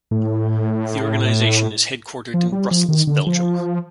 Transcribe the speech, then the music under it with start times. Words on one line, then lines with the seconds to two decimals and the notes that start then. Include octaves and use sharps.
The Organization is headquartered in Brussels, Belgium.
0.11 A2
2.34 F3
2.52 G3
2.71 F3
2.89 D#3
3.07 D3
3.27 F3